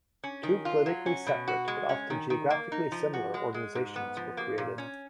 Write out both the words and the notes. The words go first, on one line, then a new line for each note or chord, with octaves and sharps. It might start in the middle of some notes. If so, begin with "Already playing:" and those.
Two politically separate but often geographically similar organizations were created.
C#4
D#3
F4
F#3
C#4
B2
F#4
G#3
C#4
D#3
D#3
A#3
D#4
F3
F#4
G#3
G#3
G#2
B3
F3
A#3
A#2
C#4